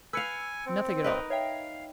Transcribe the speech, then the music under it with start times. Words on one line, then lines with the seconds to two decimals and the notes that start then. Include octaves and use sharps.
"Nothing at all."
0.13 B4 F5 G#5 E6 C#7
0.66 C4
1.04 D#4 A#4 B4 D#5
1.30 C#5 E5 F5 G5